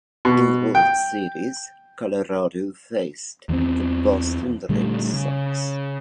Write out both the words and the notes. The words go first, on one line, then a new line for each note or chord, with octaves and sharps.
In the World Series, Colorado faced the Boston Red Sox.
B2
G5
E2 E3 A#3 C4
A#2 D3 G3 A3
C#3